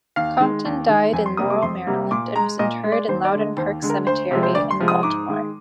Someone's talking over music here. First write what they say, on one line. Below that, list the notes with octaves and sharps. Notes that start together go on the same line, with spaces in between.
Compton died in Laurel, Maryland and was interred in Loudon Park Cemetery in Baltimore.
D#2 F5
D#3 G#3
D#2
D#3 G#3
F2 G#5
C6
C3 G3 A#3 D#6
D6
F2 C6
C3 G3 A#3
A#2 D6
G#3 A#5
A#2 D#5
G#3
D5
D#2 C5
D5
D3 G#3
D#5
D#2 C5
D3 G#3
A#4
D2 C5
C3 F3 G#3
C5
D2 D5
C6
C3 F3 G#3
D#6
G#2 D6
D#3 G#3